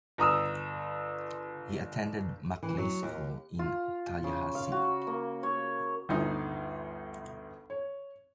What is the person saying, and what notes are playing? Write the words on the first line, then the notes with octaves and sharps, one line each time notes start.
He attended Maclay School in Tallahassee.
G1 A#5 D#6 E6
E3
F#3
D#2
F4
C#3
F5
F#4
A#3
C#5
G1 D2 D#4
C#5